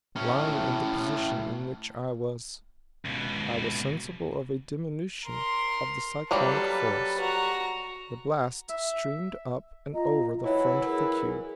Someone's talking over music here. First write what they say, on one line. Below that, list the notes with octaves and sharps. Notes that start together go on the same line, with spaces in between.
Lying in the position in which I was, I was sensible of a diminution of the cyclonic force; the blast streamed up and over the front of the cube.
A2 C#4
C#2 B2
A#4 C6
F#3 G3 A#3 A4 B4
F#4 A#5
E5
F4 D#5 A#5
E3 F#3 E4 C#5
G#4 A#4